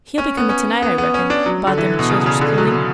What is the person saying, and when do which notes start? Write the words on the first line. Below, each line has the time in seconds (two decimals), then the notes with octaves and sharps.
He'll be coming to-night, I reckon, about them childer's schooling.
0.18 C#4
0.37 B3
0.49 C#4
0.82 B3
0.98 B3
1.14 C#4
1.30 D4
1.46 F#3
1.67 D3
1.78 E3
1.99 B2
2.09 C#3
2.26 C#3
2.41 D3
2.58 F#3